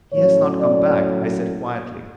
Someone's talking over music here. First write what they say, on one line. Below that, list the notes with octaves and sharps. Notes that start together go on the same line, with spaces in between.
"He has not come back," I said quietly.
A2 F#3 C#4 C#5
D5